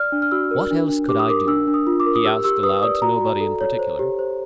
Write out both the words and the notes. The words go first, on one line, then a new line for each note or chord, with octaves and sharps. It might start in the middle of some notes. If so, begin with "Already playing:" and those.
"What else could I do?" he asked aloud to nobody in particular.
Already playing: D5 F6
D4
F6
F#4 E6
A#4
D4
D4
G4 D6
D#6
A#4 D6
D4 E6
D4
D#6
F4
D6
A#4
D#6
G4 E6
G4 E6
B4 D#6
D5 D#6
F#4 A#5
F#4
A4
C#5
C5
G4
C5